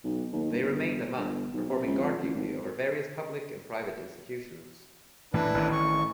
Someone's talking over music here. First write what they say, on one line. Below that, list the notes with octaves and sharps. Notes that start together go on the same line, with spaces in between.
They remained a month performing guard duty over various public and private institutions.
B1
D#2
G1
G1
B1
C3
C#2
F2
A1
G#1
A2 E3 D4 E4 B4
A1 D#3 E3
C#6